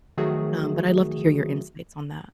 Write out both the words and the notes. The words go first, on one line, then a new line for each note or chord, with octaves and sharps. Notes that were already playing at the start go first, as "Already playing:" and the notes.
um, but I'd love to hear your insights on that.
D#3 F3 F#3 A3 F#4 G#4